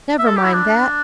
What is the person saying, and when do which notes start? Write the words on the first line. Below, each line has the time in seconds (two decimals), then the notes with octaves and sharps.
'Never mind that.
0.19 E5
0.27 A4
0.36 G4
0.44 E4
0.53 D4